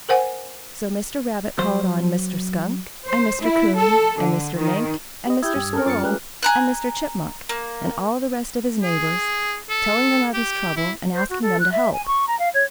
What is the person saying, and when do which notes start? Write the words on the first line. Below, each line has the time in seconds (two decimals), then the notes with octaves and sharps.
So Mr. Rabbit called on Mr. Skunk and Mr. Coon and Mr. Mink and Mr. Squirrel and Mr. Chipmunk, and all the rest of his neighbors, telling them of his trouble and asking them to help.
0.09 A#4 C5 F#5 G#5
1.59 F#3 C5
3.06 C5
3.40 E4
3.76 A4
4.19 D3
4.56 D#3
5.27 G4 D#5
5.42 E4 G4 D#6 E6 G6 G#6
5.55 G2 G4
5.73 C#4 A4 A#4 A#5 F6
5.86 F#2 F4 C#5 C6 D6 A6 C#7
6.03 G#3 A3 G4 G#4 B4 F#6
6.43 G#5 A#5 F#6
7.49 A#3
8.82 G#4
9.70 A4
10.34 G4
10.76 E4
11.12 C5
11.29 F#4
11.41 A4
11.60 F#6
11.72 E5
11.92 G#5
12.06 C#6
12.27 A#5
12.39 F5
12.53 C#5